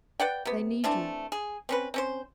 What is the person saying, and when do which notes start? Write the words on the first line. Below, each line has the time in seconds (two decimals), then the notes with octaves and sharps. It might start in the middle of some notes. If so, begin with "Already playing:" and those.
They need you.
0.20 B4 D5 F#5 G5
0.45 C3 B3
0.84 E3 A3 C4 D4
1.32 G#4
1.69 C4 C#4 B4
1.94 C4 C#4 C5